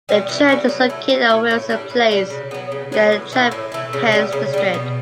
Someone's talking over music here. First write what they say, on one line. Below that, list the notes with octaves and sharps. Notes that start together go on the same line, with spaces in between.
The church is located at Wilson place, in the Charpennes district.
G3 B3 F#4
E3
G3 B3 F#4
F#3
A3 E4
F#3
A3 E4
A2
G3 D4 F#4
A2
G3 D4 F#4
C#3
F#3 B3
C#3
F#3 B3
A2
E3 A3 E4
A2
E3 A3 E4
C#3
G3 B3
C#3
G3 B3
B2